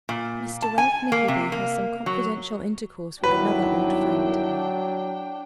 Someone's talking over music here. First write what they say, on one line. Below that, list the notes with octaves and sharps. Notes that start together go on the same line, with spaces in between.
Mr Ralph Nickleby has some confidential Intercourse with another old Friend.
A#2
A5
G#5
A#3
C3
A#3
F#3
G1 D#3 F#3 D4 E4 B4 G5